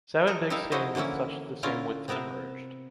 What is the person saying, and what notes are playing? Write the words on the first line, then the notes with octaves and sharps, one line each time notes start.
Seven big stain with such the same width emerged.
A4 A#4 D#5
D#4 E4 G4 A4 E5 F5
F3 D#4 E4 F#4 C5 D#5
D3 E3 A#3 C#4 E4
D3 C#4 E4 F4 A#4
C3 B3 A#4 E5 A5